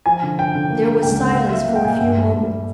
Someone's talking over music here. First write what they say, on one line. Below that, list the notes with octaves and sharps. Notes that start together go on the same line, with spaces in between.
There was silence for a few moments.
F3 G#5
D3
D3 G5
D3
A#3
G3
C#2 G5
G3 F#5
F#5
A#3 F5
F#3 E5
A#3 F#5
G5
A#2 G#5
F#5
G2 E5
G3
G2